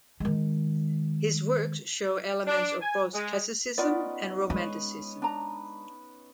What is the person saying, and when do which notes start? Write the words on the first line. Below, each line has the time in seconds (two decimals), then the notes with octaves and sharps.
His works show elements of both classicism and romanticism.
0.20 D#3 G#3
2.45 D4
2.81 G#5
3.14 G#3
3.78 B3 C#4 D#4 F4 D5
4.50 G#3 B4 C#5
5.22 D4 A#5